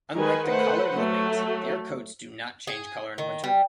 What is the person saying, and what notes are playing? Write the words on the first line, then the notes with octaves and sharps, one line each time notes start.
Unlike the collared lemmings, their coats do not change color in winter.
D#3 G#3 A#4 B4 G#5
A3 B4 C5 F#5
F#3 A3
G#4
D#3
G3